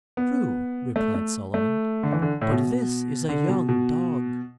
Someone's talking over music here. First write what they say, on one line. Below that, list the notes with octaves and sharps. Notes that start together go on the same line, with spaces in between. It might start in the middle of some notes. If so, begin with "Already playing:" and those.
"True," replied Solomon, "but this is a young dog."
B3
A3
A3
A3
D3
E3
D3
A2
B2
D3
B2
B2